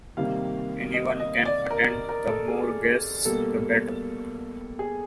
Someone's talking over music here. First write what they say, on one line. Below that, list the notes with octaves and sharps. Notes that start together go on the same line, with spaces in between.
Anyone can attend - the more guests, the better.
C3 D#3 G3 A#3 F5
D#5
D#5
D5
A#4
A#4
A4
G#4
B2 G3 A#3 A4
G#4